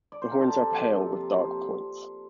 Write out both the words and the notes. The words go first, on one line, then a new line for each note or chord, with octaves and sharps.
The horns are pale with dark points.
D5
C5
A#4
A4
C3 G4
F3 A#3
C3
F3 A#3
C3 C5